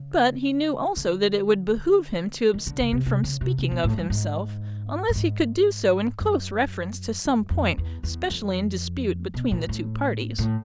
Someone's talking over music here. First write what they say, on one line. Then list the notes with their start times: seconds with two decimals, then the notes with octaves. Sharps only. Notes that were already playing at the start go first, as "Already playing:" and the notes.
But he knew also that it would behove him to abstain from speaking of himself unless he could do so in close reference to some point specially in dispute between the two parties.
Already playing: C#3
0.97 D3
2.54 D#3
2.67 D3
2.80 C#3
2.93 C3
3.06 C3
3.24 C#3
3.41 C3
3.58 C3
3.71 B2
3.84 A2
3.98 G2
4.10 G#2
5.09 G2
5.16 G#2
6.20 F#2
7.25 F#2
7.50 F2
7.78 E2
8.03 E2
8.30 F2
9.34 B2
9.52 A#2
9.69 A2
10.39 A2